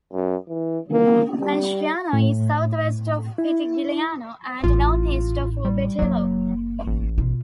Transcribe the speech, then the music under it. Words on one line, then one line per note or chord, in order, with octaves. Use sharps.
Manciano is southwest of Pitigliano and northeast of Orbetello.
F#2
E3
A#3
G3
A2
E4
A1 A2 F4
G3
F#1 F#3 A#3
A1
B2 F4